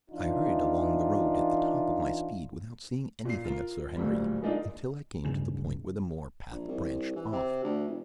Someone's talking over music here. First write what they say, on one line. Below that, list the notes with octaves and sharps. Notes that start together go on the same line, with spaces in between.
I hurried along the road at the top of my speed without seeing anything of Sir Henry, until I came to the point where the moor path branches off.
E3 D4 D#4 F4
A#2 C7
F4 A#4
D1 D2 A#2 G3
G#3 A#3 D4 D#4 F4
D1 A#1 G2 C#3
A#1
C2
E3
C3
D2
F1